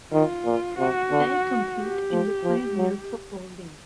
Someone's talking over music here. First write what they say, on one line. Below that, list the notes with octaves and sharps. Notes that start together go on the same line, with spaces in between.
They compete in the Pioneer Football League.
D#3 F4
A#2
C3 F#4
D3
G4
F3
F3
F#3